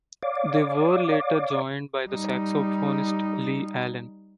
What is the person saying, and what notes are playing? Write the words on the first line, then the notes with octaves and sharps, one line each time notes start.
They were later joined by the saxophonist Lee Allen.
C#5 D5 F5 D6
G3 D#4